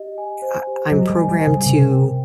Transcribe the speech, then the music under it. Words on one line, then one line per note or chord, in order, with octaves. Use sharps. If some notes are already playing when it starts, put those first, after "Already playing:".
I I'm programmed to
Already playing: G4 D#5
G#5
C5
G4
F#3 D#5
G3
G#5
G3
C5
C#3
C3 A#4
G5